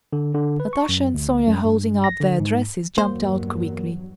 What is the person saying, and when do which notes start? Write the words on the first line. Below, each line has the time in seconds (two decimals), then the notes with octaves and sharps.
Natasha and Sonya, holding up their dresses, jumped out quickly.
0.13 D3
0.35 D3
0.60 B4
0.73 C#6
0.89 F#2
1.14 D2
1.47 F#2
1.65 G2
2.04 A#6
2.20 D3
2.40 G#2
2.98 E2 G2 F#3 A#3 C5